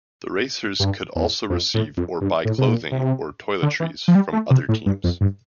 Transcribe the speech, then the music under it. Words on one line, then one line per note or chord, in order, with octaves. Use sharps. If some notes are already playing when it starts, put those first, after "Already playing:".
The racers could also receive or buy clothing or toiletries from other teams.
G2
E2
F2
A2
F2
G2
A2
C3
A#2
C3
D3
E3
F3
G3
A3
C3
A2
G2
F2
G2